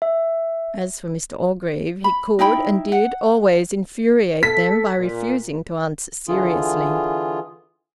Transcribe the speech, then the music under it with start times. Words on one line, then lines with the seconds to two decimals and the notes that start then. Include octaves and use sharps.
As for Mr Orgreave, he could and did always infuriate them by refusing to answer seriously.
0.02 E5
2.04 B5
2.39 D#4 E4 G5 B5
2.92 F#5
4.43 A4 B6
4.99 A#2
6.28 D3 E3 F4 G#4